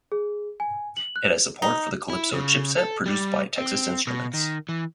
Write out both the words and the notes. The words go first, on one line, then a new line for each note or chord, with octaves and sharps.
It has support for the Calypso chipset produced by Texas Instruments.
G#4
G#5
F#7
F#6
D#4
E4
C#3
A4
G3
C4
B2
D#3
E3